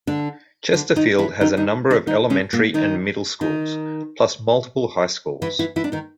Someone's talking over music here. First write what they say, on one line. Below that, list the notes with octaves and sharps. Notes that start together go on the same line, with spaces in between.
Chesterfield has a number of elementrary and middle schools, plus multiple high schools.
D3 D4
D3 D4
D#3 D#4
E3 E4
D#3 D#4
D#3 D#4
D3 D4
D#3 D#4
C#3 C#4
A#2 A#3
D#3 D#4
D#3 D#4
E3 E4
E3 E4
E3 E4
D4
D#3 D#4